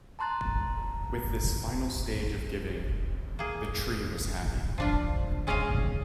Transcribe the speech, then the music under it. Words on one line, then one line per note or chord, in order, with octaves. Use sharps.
With this final stage of giving, "the Tree was happy".
A5 A#5 C6 F#6 A6
A#3 G#4
F3 D4 F4
G#3 C#4 D5 D#5 F5 G#5